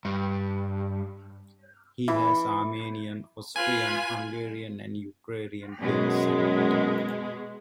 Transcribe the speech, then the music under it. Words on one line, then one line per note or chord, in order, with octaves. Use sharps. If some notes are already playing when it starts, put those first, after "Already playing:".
He has Armenian, Austrian, Hungarian and Ukrainian descent.
G2
E3
F4 B4 G#5
F#2 B2 G#3